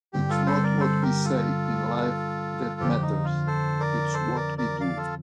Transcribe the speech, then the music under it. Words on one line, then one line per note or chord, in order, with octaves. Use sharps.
It’s not what we say in life that matters. It’s what we do.
G2 D3 G3 C4 G4
F4 A4
A4 C5
A#4 D5
A4 C5
G4 A#4
F4 A4
F2 D3 F3 G4
D#4
F4
A4 C5
A#4 D5
A4 C5
A#4 D5
A#4 D5
D5 F5
F4 A4